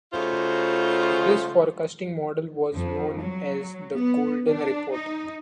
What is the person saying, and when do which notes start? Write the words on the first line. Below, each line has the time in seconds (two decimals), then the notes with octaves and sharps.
This forecasting model was known as "The Golden Report".
0.13 C#3 A3 D#4 F4 F#4 C5
2.75 F2
3.20 F#3
3.96 B3
4.49 D4
4.93 D#4